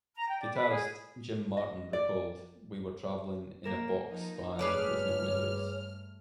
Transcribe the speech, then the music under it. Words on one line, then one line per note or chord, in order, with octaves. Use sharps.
Guitarist Jim Martin recalled We were travelling in a box van with no windows.
A#5
G5
D5
B4
G#4
D#5
D5
A#3 A#4 E7
F3 D#4
G2 A3 G#4 B4 C#5 D5 F6